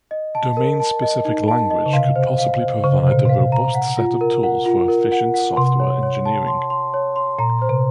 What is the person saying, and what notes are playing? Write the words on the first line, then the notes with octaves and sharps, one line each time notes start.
Domain-specific language could possibly provide a robust set of tools for efficient software engineering.
D#5
A5
A#4
A5
D#5
D#4
A5
D#5
C#3
C3 F5
C5
F5
C5
C#3 C5
C3
A#2 C5
C3 F5
A#5
F#5
F4
A#4
F#5
F4
A#4
F#5
F#5
C3 C6
C#5
C#5
A5
C6
C6
C#5
C6
A#2 A#5
C5
C3